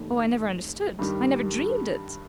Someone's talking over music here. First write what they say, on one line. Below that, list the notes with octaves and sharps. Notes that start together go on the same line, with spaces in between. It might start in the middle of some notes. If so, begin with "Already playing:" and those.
Oh, I never understood--I never dreamed it!
Already playing: F1 D#2 D#3
G2 D#3 G3